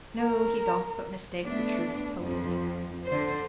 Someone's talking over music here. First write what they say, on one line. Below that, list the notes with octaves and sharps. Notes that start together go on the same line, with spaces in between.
No; he doth but mistake the truth totally.
A#4
A3 B3 D4
F2 F3
D3 C5